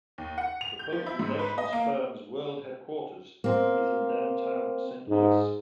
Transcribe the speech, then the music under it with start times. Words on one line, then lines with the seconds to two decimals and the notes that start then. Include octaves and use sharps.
The public relations firm's world headquarters is in downtown Saint Louis.
0.18 D#2
0.38 F#5
0.61 F7
0.79 G6
0.92 F3
1.06 E4
1.19 G#2
1.39 B4
1.58 D#5
1.73 A#3
3.44 A#3 C4
5.08 G#2